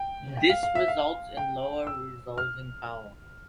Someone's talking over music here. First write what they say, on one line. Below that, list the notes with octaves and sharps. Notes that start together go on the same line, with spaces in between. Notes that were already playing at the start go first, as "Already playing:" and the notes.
This results in lower resolving power.
Already playing: G5
G5
F5
F5
E5
F5
G5
E6
F6